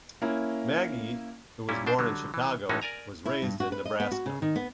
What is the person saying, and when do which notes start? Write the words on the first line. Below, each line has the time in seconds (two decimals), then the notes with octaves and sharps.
Magee, who was born in Chicago, was raised in Nebraska.
0.22 A#3 C#4 E4
1.69 A#2 G3 C#4 E4
1.86 B2 D4 C5
1.99 D3 F#3 G3
2.34 E3
2.69 A2 E3 G#3 C#4 D#4 F#4
2.82 A#4 D5 G#5 A#5
3.26 E4
3.42 G2
3.60 F#4
3.72 B4
3.86 D#5
4.00 B3
4.12 F#4
4.26 C#3
4.42 D#3
4.56 B3